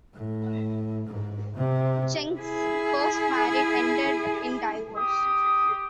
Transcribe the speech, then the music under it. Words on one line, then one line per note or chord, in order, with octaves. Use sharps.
Schenck's first marriage ended in divorce.
A2
G#2
C3
E4 G#4
G4 D#6